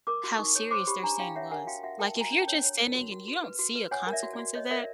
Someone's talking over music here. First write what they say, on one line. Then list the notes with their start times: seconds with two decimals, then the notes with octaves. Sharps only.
how serious their sin was, like, if you're just sinning and you don't see a consequence of that,
0.07 A#4 D6 E6
0.24 F#4
0.39 D#4 C#6 D#6
0.55 C#5
0.71 C5 C6 D6
0.87 G4 B5 C#6
1.03 D4 G#5 A#5
1.19 D4 F5 G5
1.35 C#5 E5 F#5
1.51 A#4 F#5 G#5
1.67 F#4 F5 G5
1.83 F#4 E5 F#5
1.99 A#4 G5 A5
2.16 F#4 G#5 A#5
2.32 D4
2.42 G5 A5
2.48 C#5
2.64 C#5
2.80 A#4
2.95 F#4
3.12 F#4
3.28 F#4
3.44 B4
3.59 F#4
3.75 B4
3.91 C#5 F#5 G#5
4.07 A#4
4.12 D5 E5
4.23 F#4
4.33 D5
4.39 F#4
4.55 C#5 D#5
4.71 A#4 D5 E5